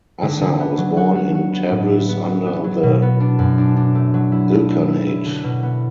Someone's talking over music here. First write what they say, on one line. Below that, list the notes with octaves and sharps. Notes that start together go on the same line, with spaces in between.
Assar was born in Tabriz under the Ilkhanate.
D3
D3
B3
F#3
F#4
F#4
F#4
B3
A2
E4
B3
B3
B3
F#3
B2
B3
D4
F#2
D4
D4
A3
F#3
E4
E4
E4
E4
E4
D3
B2
B3